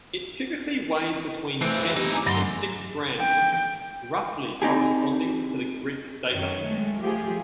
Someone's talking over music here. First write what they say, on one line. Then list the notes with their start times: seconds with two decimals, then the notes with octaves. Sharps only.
It typically weighs between ten and six grams, roughly corresponding to the Greek stater.
1.62 E3 A3 C4
1.97 D#4 E4 G4
2.13 G#5 A#5 D6
2.26 E2 G2 F#3 C6
3.19 G5
4.62 C4 D#4 G4 G#4
6.32 F#2 D#3 C#5
6.64 G#3 A3
7.02 F3 A3 G4 G#4